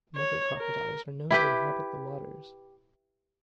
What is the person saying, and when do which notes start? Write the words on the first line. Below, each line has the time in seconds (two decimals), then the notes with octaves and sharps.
Mugger crocodiles are known to inhabit the waters.
0.16 C#5
0.57 A#4
1.31 E4 G4 B4